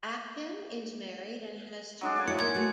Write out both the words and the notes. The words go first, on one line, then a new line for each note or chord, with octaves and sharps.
Acton is married and has two children.
F#3 G#3 D4
D5 F5 G#5
E4 F#4 C#5 C#7
A#3 D#4 E5 G#6
A3 F#4 G#4